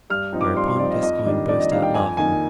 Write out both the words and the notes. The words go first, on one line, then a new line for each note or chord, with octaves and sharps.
Whereupon Gascoyne burst out laughing.
G2 F6
F3 C4 D#4
D6
G2 C6
C6
F3 C4 D#4 D5
D#5
F2 D#5
D#3 G3 D4
F2 D5
D#5
D#3 G3 D4 F5
G5
F2 G#5
D#3 A#3 D#4 G#5